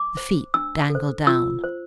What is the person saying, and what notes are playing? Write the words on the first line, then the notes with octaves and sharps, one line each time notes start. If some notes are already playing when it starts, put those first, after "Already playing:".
The feet dangled down.
Already playing: D6
C5
D4 E6
A4
C5
F4 E6
C5